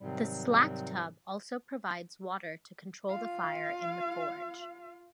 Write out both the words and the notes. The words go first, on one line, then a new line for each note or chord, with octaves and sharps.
The slack tub also provides water to control the fire in the forge.
G#2 C3 D#3 F#3 G3 C4
F4 F5